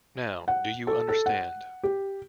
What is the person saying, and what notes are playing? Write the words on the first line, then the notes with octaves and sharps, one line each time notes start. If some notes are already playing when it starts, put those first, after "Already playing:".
Now, do you understand?
F#5
A4
A4
F#5
G4